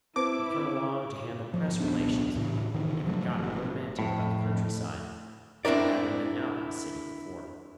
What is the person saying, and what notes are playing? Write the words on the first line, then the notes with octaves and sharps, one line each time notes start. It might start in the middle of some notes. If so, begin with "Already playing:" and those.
He'd come along to handle press relations and had gotten romantic about the countryside, never having been out of a city before.
C4 E4 B4 C5 D6
G#2 F3
D#1 C2 B3 D4
A2 C#3 E3
C3 D#3 E3
F3 F#3 A3
G1 C3
F2 A2
C4 D4 E4 A#4 D5